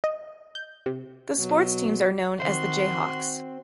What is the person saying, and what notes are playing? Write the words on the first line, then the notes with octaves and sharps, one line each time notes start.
The sports teams are known as the Jayhawks.
D#5
G6
C3
B2 F#3
D#3 C4 F#4 C6